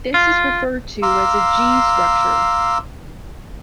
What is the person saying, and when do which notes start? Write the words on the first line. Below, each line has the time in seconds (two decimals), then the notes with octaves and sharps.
This is referred to as a G-structure.
0.14 F4
1.02 F5 A#5 C6 D6 E6